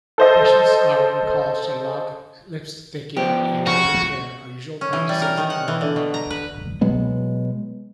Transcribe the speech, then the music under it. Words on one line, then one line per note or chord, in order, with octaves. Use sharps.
Facial scarring called Shoulokh, lips sticking, and braided hair are usual practices among women.
A4 C5 D#5
F3 B3 G4 C5
C#3 F#4 C#6
C#4
E3
G3
A#4
D#3
F#5
E3
D3
B2
A#5
B4
B2 F#3 G#3 B3